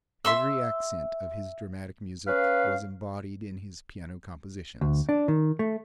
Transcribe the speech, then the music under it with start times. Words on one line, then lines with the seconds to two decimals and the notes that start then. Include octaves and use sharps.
Every accent of his dramatic music was embodied in his piano compositions.
0.25 E5 C6 E6
2.26 C#4 B4 F5
4.81 D2
5.09 D4
5.28 D#3
5.59 A3